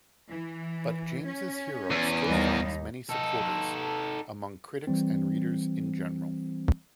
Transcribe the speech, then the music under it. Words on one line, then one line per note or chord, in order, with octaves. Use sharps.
But James' hero still finds many supporters, among critics and readers in general.
E3
C#4
E2
D#2 G3 D#4
D#4 A4
E3 G3 C4